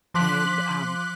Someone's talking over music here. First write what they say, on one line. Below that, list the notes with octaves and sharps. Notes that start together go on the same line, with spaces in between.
and, um
F3 C6 D6 F#6 B6 F#7